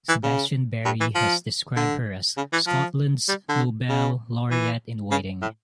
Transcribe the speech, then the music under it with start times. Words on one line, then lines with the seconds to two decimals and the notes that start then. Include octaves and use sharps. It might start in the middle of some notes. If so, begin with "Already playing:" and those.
Sebastian Barry has described her as "Scotland's Nobel laureate-in-waiting".
0.09 E3
0.23 C#3
0.85 G2
1.01 E3
1.15 F3
1.77 D3
2.37 C#3
2.53 E3
2.67 F3
3.29 G3
3.49 D3
3.89 C#3
4.51 E3
5.12 C#3
5.42 A2